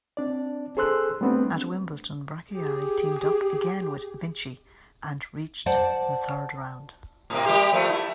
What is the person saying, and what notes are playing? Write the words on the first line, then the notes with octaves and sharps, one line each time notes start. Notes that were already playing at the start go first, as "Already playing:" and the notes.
At Wimbledon, Bracciali teamed up again with Vinci and reached the third round.
C4 D4 D5
G#4 A4 C5 C6 E6 F#6
G3 A3 B3 C4 D4
G4 G#4
C5 D5 F#5 A5
A2 C3 A#3
G3 A#3 G4
F3 A3 A#3
E4